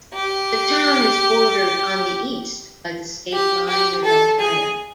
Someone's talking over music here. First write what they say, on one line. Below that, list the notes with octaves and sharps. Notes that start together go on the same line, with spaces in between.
The town is bordered on the east by the state line with Ohio.
G4
G4
G4
A4
G#4